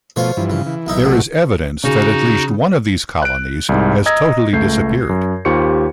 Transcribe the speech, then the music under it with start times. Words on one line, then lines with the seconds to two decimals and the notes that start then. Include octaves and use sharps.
There is evidence that at least one of these colonies has totally disappeared.
0.16 B2 F3 A3 F4 C5 C#5
0.37 G2 E3 F3
0.50 C#3
0.66 E3
0.87 B1 D#4 E4
1.05 C3 A3 F#4
1.84 C#3 D#4 F#4
3.22 F#6 D7
3.69 C2 G#2
4.06 D#5 A#5 D#6 E6 G#6 A#6
4.53 C#2 A3 G6 C7
5.09 F#2
5.45 D#2 F4 G4 C5 C#6 C#7